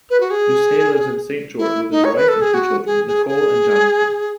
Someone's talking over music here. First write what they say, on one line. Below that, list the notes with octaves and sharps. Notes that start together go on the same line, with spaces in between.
Doucet lives in Saint George with his wife and two children, Nicole and Jonathan.
B4
F#4
G#4
E4
D#4
C#5
B4
A4
G#4
F#4
G#4
G#4
G#4